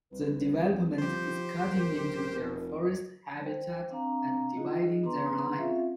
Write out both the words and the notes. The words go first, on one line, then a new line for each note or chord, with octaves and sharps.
The development is cutting into their forest habitat and dividing their land.
C2 B4
F3 G4 C5
D1 A#4
F1
C5 G5
C4 D4 F5 A#5
D#4 F4 F#4 G#4 D#5
B3 D4 G#4 B4 A#5 C6
C4 C#4 F4 E5 F5